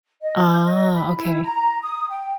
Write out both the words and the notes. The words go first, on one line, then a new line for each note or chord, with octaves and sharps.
ah, okay.
D#5
G6
D#5
B5
E4
A#5
D#6
G5